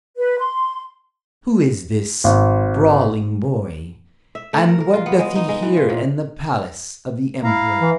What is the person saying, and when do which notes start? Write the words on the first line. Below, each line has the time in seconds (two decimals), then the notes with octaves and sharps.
"Who is this brawling boy, and what doth he here in the palace of the emperor?"
0.17 B4
0.38 C6
2.24 G#1
4.35 E5
4.53 A3
4.69 A#4
4.80 A#4
4.93 F4
5.06 B3
5.19 G#3
5.35 D#4
5.49 G#3
5.62 E3
5.77 F4
5.89 A#2
7.44 E4 F5 A#5
7.81 E3